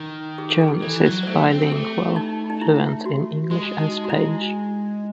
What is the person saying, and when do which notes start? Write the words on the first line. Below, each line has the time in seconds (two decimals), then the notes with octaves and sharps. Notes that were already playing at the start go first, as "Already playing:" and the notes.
Jones is bilingual, fluent in English and Spanish.
Already playing: D#3
0.38 G#4
0.50 A4
0.61 G#4
0.82 E3 A4
1.06 F#3
1.23 C5
1.27 A3 A4
1.50 C4
1.62 A4
1.72 A3 G#4
2.16 D#4
2.50 D#4
2.61 E4
3.06 F#4
3.50 G#3 F#4
3.81 D#4
4.04 F#4
4.10 E4